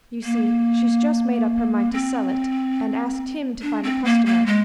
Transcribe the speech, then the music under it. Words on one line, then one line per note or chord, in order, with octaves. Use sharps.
You see, she's just made up her mind to sell it, and asked him to find a customer.
A#3
C4
D4
C4
A#3
A#3
G#3